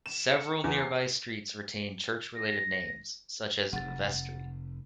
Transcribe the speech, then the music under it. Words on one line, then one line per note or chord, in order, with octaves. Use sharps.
Several nearby streets retain church-related names, such as Vestry.
E7
C#7
E2
C7
A#6
F1 F#5 A6